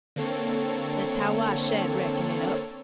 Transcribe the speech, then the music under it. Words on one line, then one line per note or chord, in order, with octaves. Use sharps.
That's how I shed reckon it up.
D3 A#3 C4 A4 C#5